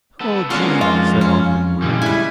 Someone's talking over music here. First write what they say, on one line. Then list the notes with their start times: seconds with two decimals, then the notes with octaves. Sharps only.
"Oh, Gee," said Ogden wearily.
0.21 B3 A4
0.50 G#3 B3 C#4 D4 F4 F#4 A#4
0.81 F2 F4
1.21 C#4
1.82 A#2 D3 E3 G3 G#3
2.02 E4 B4 G#5